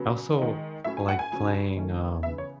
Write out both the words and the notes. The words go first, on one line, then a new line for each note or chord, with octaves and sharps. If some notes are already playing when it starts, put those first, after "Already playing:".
I also like playing, um
Already playing: C#3 F#3 B3
D#3 G#3 D#4
A2 F#3 C#4 E5
G#5
F#5
G#5
C#3 F#3 C#4
D#3 A3 C#4
C#3 E3 B3 E5
C#5